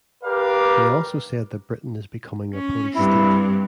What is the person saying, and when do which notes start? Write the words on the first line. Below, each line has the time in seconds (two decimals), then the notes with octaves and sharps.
He also said that Britain is becoming a police state.
0.24 G4 A#4 B4 D5 F5
2.55 C#4
2.95 G2 C4 E4